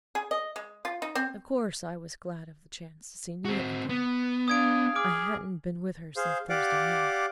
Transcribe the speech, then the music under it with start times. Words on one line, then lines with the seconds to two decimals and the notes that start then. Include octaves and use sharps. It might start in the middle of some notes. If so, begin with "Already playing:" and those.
Of course I was glad of the chance to see Nita again--I hadn't been with her since Thursday night.
0.15 G#4
0.31 D#5
0.56 G#3
0.85 F4
1.02 D#4
1.15 C4
3.45 C4 F#4
3.89 B3
4.48 D4 F5 D#6 G#6 D7
4.95 G#4 D6 F6 D7
6.17 G#4 C5 F5
6.49 G4 D5 F5 F#5 D6